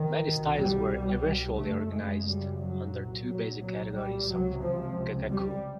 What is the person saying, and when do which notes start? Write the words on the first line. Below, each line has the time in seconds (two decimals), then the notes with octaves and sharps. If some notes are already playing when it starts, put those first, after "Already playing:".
Many styles were eventually organized under two basic categories of gagaku.
Already playing: D#3
0.24 C2 B2
0.57 G3
1.59 F#2 C#3 A3
1.93 G#3
2.27 G3
2.60 F#3
2.94 C2 A#2
3.28 F#3
3.62 F#3
3.96 G3
4.30 C#2 C3 F#3
4.63 F3
5.32 G3